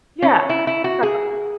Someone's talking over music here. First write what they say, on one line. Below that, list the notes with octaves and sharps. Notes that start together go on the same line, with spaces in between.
Yeah, it's the government,
C#4
E4
E4
F#4
G#4